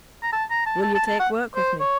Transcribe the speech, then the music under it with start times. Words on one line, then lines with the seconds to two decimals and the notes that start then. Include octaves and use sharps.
Will you take work with me?
0.22 A#5
0.33 A5
0.50 A#5
0.66 A5
0.82 A5
0.95 A5
1.07 A5
1.19 F#5
1.55 C5
1.80 C#5